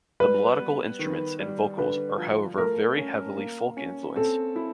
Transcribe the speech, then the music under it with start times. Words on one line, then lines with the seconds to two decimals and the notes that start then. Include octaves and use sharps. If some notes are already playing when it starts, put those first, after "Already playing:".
The melodical instruments and vocals are however very heavily folk-influenced.
0.20 G3 B4
0.60 B3
0.99 D#3
1.39 G3
1.79 D3 B4
2.18 F3
2.58 A3 A#4
2.97 C#4
3.37 A#3
3.77 C#4
4.16 C4 A4
4.56 E4